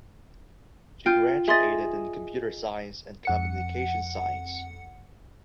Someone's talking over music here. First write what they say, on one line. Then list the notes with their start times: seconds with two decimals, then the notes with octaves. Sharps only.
She graduated in computer science and communication science.
1.06 F4 G5 G6
1.48 G#4 D#5 E5 C6 A6
3.25 F2 F#5 C#7